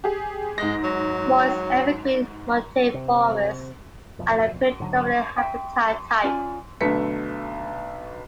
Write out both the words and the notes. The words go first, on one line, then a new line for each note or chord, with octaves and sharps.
Moist evergreen montane forests are the predominant habitat type.
G4 G#4
G#2 G#3 A#6
F#3
C3
D1 B1 F2
G#2 D3 F#3
E5 G5
C#4 F4 D5 G#5
B1 D3 A3 B3 B6 C#7